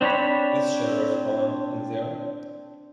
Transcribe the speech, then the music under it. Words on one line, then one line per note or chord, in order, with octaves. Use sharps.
Is Sheriff Helen in there?
C4 D4 C#5 B5